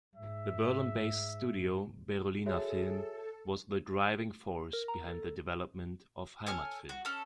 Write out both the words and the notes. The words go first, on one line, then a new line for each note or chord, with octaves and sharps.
The Berlin-based studio Berolina Film was the driving force behind the development of "Heimatfilme".
G#2 E5
F#4 G#4 A4 C#5 E5
A#4
A#5
A4
A4 C#5 G#5 F6
F#4
C#4 A4